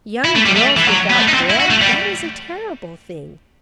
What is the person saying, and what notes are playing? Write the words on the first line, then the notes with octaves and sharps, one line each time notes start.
Young girls without bread--that is a terrible thing.
E4
A3
G3
A3
E3
F#3
B3
A3
D#4
C4
E4
F#4
A3
G3